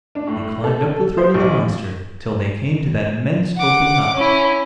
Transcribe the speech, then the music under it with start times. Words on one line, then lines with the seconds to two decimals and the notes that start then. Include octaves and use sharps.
They climbed up the throat of the monster till they came to that immense open mouth.
0.15 D4
0.27 A2
0.64 A4
1.17 C5
1.34 B1
3.57 F#5 D6
4.15 C#4 E4